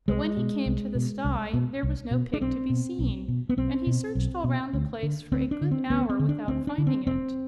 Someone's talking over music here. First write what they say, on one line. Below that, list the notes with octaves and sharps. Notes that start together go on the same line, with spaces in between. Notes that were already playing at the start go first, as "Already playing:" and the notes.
But when he came to the sty there was no pig to be seen, and he searched all round the place for a good hour without finding it.
C2 G#3
B2
C2
B2
C2
B2
C2
B2
D4
B1 C4
B2
B1
B2
B3
B1 C4
B2
B1
B2
D2
D3
D2 C4
D4
D3
C4
D2 B3
C4
D3
D4
D2 C4
D4
D3
C4
F1 C4